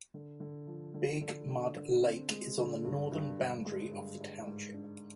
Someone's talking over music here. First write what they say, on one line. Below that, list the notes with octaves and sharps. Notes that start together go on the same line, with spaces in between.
Big Mud Lake is on the northern boundary of the township.
D3
D3
F3
D3
D3
D3
D3
C4
G#3
D3
G2
G2
G2
G#3
G2
G2
G#2
D4